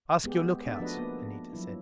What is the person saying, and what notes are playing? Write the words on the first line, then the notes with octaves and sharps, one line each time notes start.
"Ask your lookouts," Anita said.
G#3 B3 G4 G#4
G4
A3 B3 D4 D#4 D5 E5
F3 A3 D4 F#4 B4 D#5
A#3 B3
F3 F#3 E4